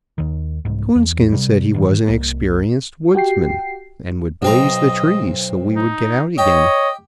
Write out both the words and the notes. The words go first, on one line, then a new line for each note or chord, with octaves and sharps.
Coonskin said he was an experienced woodman, and would blaze the trees so we would get out again.
D#2 D#3
C2 G#2
E2
C3 G3
G#2 D#3 E3
C2 A#3
F#4 G4 G5 C7
B1 C4 D#5 A#5
D#4
G4 C#5 D#5